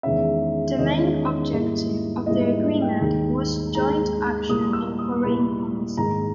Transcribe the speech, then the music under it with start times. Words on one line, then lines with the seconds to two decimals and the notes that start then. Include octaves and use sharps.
The main objective of the agreement was joint action in foreign policy.
0.03 E2 D#3 G#3 C#4 E5
0.78 E2 D#3 G#3 C#4 D#5
1.52 G#2 G3 A#3 E4
2.26 G#2 G3 A#3 E4 D#5
2.45 D#5
2.63 D#5
2.82 G5
3.00 D#2 D#3 G#3 D#4
3.75 D#2 D#3 G#3 D#4 A#5
4.49 A#2 G3 A#3 E4 D#6
4.73 E6
4.99 D#6
5.23 A#2 G3 A#3 E4 B5
5.97 G#2 D#3 A#3 D#4 A#5